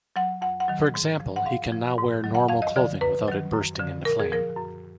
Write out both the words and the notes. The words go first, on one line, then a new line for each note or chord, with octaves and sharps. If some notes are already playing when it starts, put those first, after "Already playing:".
For example, he can now wear normal clothing without it bursting into flame.
F#3 F#5
F2 F#5
F#5
D#3 F#3
G#2
F3
F#5
G#2 F5
F3
G#2
D#3 F#3
F#5
F2 F5
D#5
D3 F3 D5
F#2 B4
D#3 F#3
F#2
D3 F3
A#2 A#4
G#4
F3 A#4
F#2